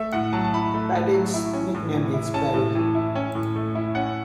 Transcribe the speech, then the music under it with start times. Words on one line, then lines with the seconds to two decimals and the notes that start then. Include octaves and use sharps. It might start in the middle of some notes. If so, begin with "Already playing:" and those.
Paddick's nickname is Paddy.
Already playing: A3 E5
0.13 A2 F#5
0.33 F#3 A5
0.44 A5
0.53 E4 B5
0.74 A3
0.93 A2
1.14 F#3
1.34 E4
1.53 C#4
1.75 A2
1.94 E3
2.14 E4
2.34 C#4 A5
2.54 A2
2.75 E3
2.95 E4
3.15 C#4
3.35 A2
3.56 A3
3.75 E4
3.95 C#4 F#5